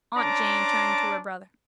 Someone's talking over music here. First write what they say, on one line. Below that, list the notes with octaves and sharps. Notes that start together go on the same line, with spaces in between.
Aunt Jane turned to her brother.
C#4 D4 A5 A#5 C6 D6